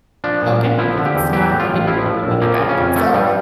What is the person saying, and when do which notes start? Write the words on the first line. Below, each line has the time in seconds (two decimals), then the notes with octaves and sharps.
okay, it's not a big deal that we get back, so,
0.24 F3 D4
0.43 A#2
0.61 A#1
0.79 F3 E4
0.96 D3
1.05 G4
1.15 E2
1.33 E3 G4
1.51 A2
1.60 F4
1.69 A1
1.87 F3 E4
2.05 A2
2.23 A#1
2.41 F3 A#3
2.60 C#3
2.69 C#4
2.77 F2
2.96 F3 A3
3.14 G2 G3